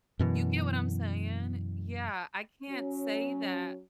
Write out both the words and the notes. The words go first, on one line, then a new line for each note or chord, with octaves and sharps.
You get what I'm saying? Yeah, I can't say that,
F#2 B2 E3
F#3 C#4